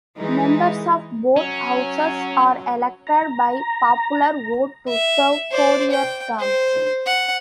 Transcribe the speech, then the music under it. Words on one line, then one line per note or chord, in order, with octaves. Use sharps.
Members of both houses are elected by popular vote to serve four-year terms.
E3 G#3 D#4
F#3 C#4
A#5
E5
C5 D5
G5
C5
F#5